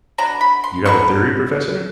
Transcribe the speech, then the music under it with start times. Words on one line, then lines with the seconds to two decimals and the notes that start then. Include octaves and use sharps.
"You have a theory, professor?"
0.18 D3 F#3 B3 A#5
0.41 B5
0.64 C6
0.85 D3 F#3 B3 C#6